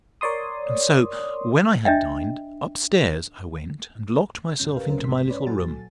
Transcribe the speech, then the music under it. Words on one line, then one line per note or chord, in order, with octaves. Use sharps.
And so, when I had dined, up stairs I went, and locked myself into my little room.
A#4 C#5 D5 C6 D#6
D4 D#5 E5 G5
C#2 G2 C#3 C#4 G6
G4 A#4 B4 C#5 F5
D2 F#3 C#4 A#4 C5
A1 F2 G#2 C6 B6
C#4 B4 C#5 D5
A#2 F#3 F#4 A4 G#5 A6